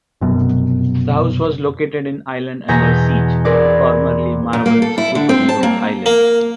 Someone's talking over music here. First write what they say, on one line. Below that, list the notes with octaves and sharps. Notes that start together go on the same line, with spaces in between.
The house was located in "Island under Siege", formerly Marvel's superhero island.
F1 F#2 B2
E2 B2 G#5 A#5 G6 B6
C4 G#4 A#4 B4 D5
A#2
A#3
A4
E4
D3
C4
A5
A#3
A#3